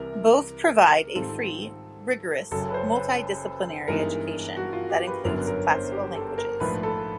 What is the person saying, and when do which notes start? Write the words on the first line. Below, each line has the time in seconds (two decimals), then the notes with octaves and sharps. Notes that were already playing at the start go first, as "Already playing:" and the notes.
Both provide a free, rigorous, multi-disciplinary education that includes classical languages.
Already playing: C2 C3 E3 A#4
1.15 G#2 D#3 G3 C4 F4 A4
2.51 F#1 F#2 C#3 F#3 A4
2.70 B4
2.74 C5
2.97 B4
3.88 G2 E3 G#3 B3 D#4 A#4
4.57 F#4
4.73 F4
4.90 G4
5.07 B4
5.24 G1 F#2 D3 F#3 B3 A#4
5.47 A#4
5.70 C5
5.92 G4
6.15 A4
6.38 A#4
6.60 A#1 G#2 F3 A3 B4
6.83 A4